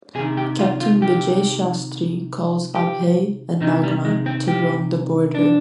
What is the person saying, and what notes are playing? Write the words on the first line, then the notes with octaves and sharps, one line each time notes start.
Captain Vijay Shastri calls Abhay and Nagma to roam the border.
C3 D#3 G#4
G4
F4
F4
G4
G4
C3 D#3 D#4
G3
G#3
C4
G4
D4